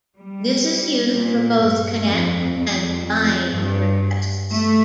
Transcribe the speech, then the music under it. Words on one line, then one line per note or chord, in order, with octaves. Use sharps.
This is used for both "connect" and "bind" requests.
G3
A#2
G2
F2
F2
G2
A3